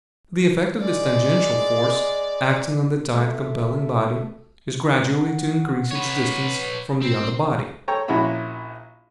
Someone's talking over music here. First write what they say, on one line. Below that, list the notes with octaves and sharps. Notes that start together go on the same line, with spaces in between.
The effect of this tangential force acting on the tide-compelling body is gradually to increase its distance from the other body.
G#3 D5
A3
F#5
B4 C#5
C4
A4 C#5 G5 A#5
A#1 A#2 C#4 E4 F#4 B5